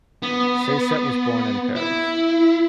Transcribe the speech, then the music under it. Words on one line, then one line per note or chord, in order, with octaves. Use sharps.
Saiset was born in Paris.
B3
E4